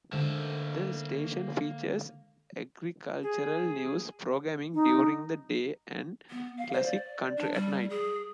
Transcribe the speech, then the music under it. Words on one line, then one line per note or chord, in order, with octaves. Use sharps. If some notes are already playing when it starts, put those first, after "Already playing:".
The station features agricultural news programming during the day and classic country at night.
D3 G#3 A#3 C5 E5
G#4
D#4
B3
F5
C5
D5
D4
G3
G#4